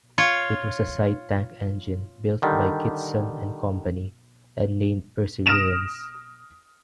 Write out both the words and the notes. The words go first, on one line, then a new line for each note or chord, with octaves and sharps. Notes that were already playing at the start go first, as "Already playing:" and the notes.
It was a side tank engine, built by Kitson and Company and named "Perseverance".
F4 C#5
D3 D#3 G3
D#6 F6 A#6 D7 E7 F7